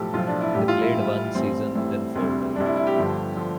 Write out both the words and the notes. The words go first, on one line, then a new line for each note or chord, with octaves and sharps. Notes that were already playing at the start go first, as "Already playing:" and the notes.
They played one season then folded.
Already playing: B1 A2 F3 G4 A4
B1 A2 F3 F4
D4
E4
A1 A2 G3 G4
F4
E4
A1 A2 G3
A1 A2 G3 C4
A1 A2 G3
D2 C3 G3
D2 C3 G3 D4
E4
E4
G4
G1 G2 D3 F3
D3 F3